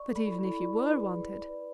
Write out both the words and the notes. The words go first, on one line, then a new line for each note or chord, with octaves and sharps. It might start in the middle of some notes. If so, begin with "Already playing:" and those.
"But even if you were wanted--?"
Already playing: D5 C#6
A4
B5
E4
B5
E4
D5
B4
G#4
G#4
D5
B4